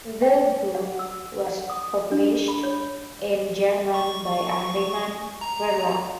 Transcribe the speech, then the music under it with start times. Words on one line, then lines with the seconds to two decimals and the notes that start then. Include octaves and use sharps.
The book was published in German by Ahriman Verlag.
0.22 G5
0.75 F#5
0.99 E6
1.46 F#5
1.70 D#6
2.12 D4
2.48 B5
2.63 C#5
3.94 C#6
5.41 A#5